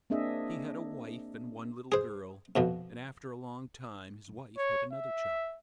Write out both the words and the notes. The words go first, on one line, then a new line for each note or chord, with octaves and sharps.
He had a wife and one little girl, and after a long time his wife had another child.
A#3 C4 D4 G#4 D#5 E5
G#4 C5
F2 B2 F3
C#5
E5